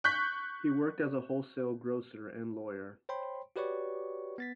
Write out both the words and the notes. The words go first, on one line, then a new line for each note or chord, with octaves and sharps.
He worked as a wholesale grocer and lawyer.
C#6 F#6 G6 B6
C5 C#5 G5 B5 C6
F#4 G4 B4 C#5 D5 C#6
B3 A6 B6